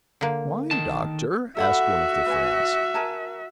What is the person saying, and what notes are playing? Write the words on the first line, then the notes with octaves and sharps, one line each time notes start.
"Why, doctor?" asked one of the friends.
D3 A#3
D#3 A5
F#4 A4 E5 F#5 B5
B4 G#5
A#4 G#5 A5